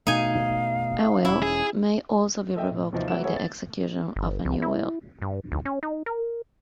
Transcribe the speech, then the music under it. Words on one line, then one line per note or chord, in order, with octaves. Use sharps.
A will may also be revoked by the execution of a new will.
B2 A3 D#4 F5 G#5
E1 C#4 E4
G#4
A4 D#5 E5 G5
A2
D#2 C3 E3 F3 D#4
E3 F#3 A3 E4 F#5 E7
G#4 A4 B4 C#5 E5 F#5
A6
G1
C2
E4
G2
D2
C#4
D#4
A#4